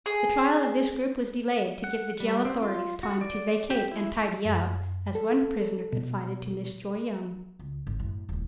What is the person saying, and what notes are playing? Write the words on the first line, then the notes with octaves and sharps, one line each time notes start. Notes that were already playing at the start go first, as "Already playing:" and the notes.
The trial of this group was delayed to give the jail authorities time to "vacate and tidy up," as one prisoner confided to Miss Joy Young.
G#4
F#5
G3
C4
F4
F#4
D5
G4
E4
F#2
A4
B2
C#2
G#1
F#2 A2
D#1 A2